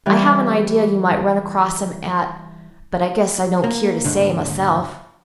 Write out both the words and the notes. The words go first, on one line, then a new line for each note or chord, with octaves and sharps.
I have an idea you might run across him at--but I guess I don't keer to say, myself.
E3 G3
A#3
D#2 G#2 D3